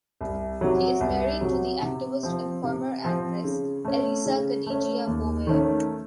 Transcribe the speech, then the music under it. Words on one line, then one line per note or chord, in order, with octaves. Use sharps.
He is married to the activist and former actress Elisa Kadigia Bove.
C2
C3 F#3
C2
C3 F#3
C3
F3 C4
C3
F3 C4
C#3
A3 C#4
C#3
A3 C#4
D#2
D#3 A3 C#4